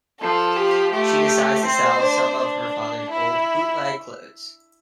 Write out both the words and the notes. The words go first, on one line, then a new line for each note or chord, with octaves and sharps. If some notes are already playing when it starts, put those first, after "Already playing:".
She decides to sell some of her father's old bootleg clothes.
F3 A4
G4
A3 G4
C4 C5
D4
D4
E4